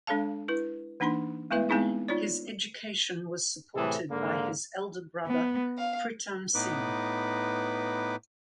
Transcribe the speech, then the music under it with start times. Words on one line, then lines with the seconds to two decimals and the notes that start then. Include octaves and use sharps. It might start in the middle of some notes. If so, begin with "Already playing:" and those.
His education was supported by his elder brother Pritam Singh.
0.07 G#3 D4 A4 C#5 F5 A5
0.48 E4 B4
1.00 E3 A#3 D4 D#4 B5 C6
1.51 G#3 A3 B3 E4 B4 E5
1.69 G#3 B3 C4 D#4 E4 G#4
2.08 D#4 F4 C#5 D5
3.76 A2 C3 E3 G#4 A4
4.10 G#2 D3 A#3
5.27 B3
5.78 F5
6.55 A2 B3 D#4 B4 D6